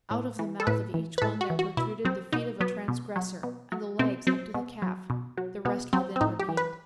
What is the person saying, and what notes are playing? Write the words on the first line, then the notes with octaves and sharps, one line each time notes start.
Out of the mouth of each one there protruded The feet of a transgressor, and the legs Up to the calf, the rest within remained.
A2
E3
A4
A2 B4
E3
B4
A2 A4
F#4
E3
F#4
B2 E4
F#3 C4
B2 D#4
F#3 B3
B2
F#3
B2
F#3
B2 C4
F#3 C4
B2
F#3
B2
F#3
B2 B3
F#3 C4
C4
A2 D#4
G4
E3
B4